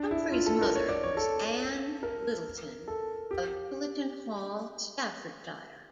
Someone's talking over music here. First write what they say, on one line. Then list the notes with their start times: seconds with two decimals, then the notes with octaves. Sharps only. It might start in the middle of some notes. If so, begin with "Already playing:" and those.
Humphrey's mother was Ann Lyttleton, of Pillaton Hall, Staffordshire.
Already playing: D4
0.11 E4
0.32 F4
0.46 A4
0.61 A#4
0.75 C#5
0.89 D5
1.03 C#5
1.17 A4
2.03 A#4
2.88 A4
3.31 G4